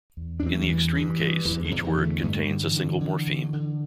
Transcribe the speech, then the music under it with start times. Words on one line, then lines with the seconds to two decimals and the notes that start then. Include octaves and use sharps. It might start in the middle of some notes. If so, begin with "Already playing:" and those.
In the extreme case, each word contains a single morpheme.
0.17 E2
0.40 D4
0.42 E2 C4
0.54 A3
0.62 G3
0.68 G2 E3
0.95 G2
1.20 G2
1.45 E2 E3
1.65 D3
1.71 E2
1.84 E3
1.98 D3
2.04 A3
2.23 G2 A3
2.42 G3
2.50 D3
2.63 E3
2.76 D3
2.82 E3
3.00 D3
3.27 D3
3.53 D3